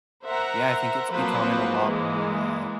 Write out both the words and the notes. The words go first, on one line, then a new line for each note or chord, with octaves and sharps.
Yeah, I think it's becoming a lot more, uh,
A#4 C5 E5 F#5 A#5
F3 F#3 A#3 C4 B4 C5
E3 G#3 A#3